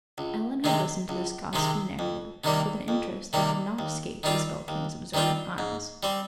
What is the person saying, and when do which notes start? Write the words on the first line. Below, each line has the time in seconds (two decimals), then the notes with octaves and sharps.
Alan had listened to this gossipy narrative with an interest that did not escape Isabel King's observant eyes.
0.18 C#2
0.64 C3 D#3 G#3 C4
1.09 C#2
1.53 C3 D#3 G#3 C4
1.99 F2
2.44 C3 D#3 G3 A#3
2.88 F2
3.33 C3 D#3 G3 A#3
3.79 D#2
4.23 D#3 G3 C4 F4
4.68 D#2
5.14 D#3 G3 C4 F4
5.58 G#2
6.03 G3 C4